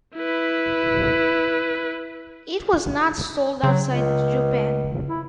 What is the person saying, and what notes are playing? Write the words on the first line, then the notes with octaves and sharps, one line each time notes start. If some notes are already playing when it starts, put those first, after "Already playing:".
It was not sold outside Japan.
E4 B4
C#3 F#3
C#2
E4